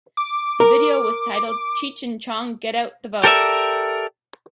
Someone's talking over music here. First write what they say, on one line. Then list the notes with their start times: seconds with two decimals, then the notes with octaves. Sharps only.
The video was titled "Cheech and Chong Get Out the Vote!".
0.17 D6
0.60 A#4
3.24 G4 A4 A#4 D5 E5